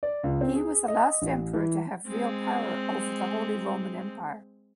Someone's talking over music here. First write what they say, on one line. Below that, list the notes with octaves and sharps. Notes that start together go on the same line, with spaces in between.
He was the last emperor to have real power over the Holy Roman Empire.
D5
C#2
C4
G#4
D#5
A1
E3
G#3 C4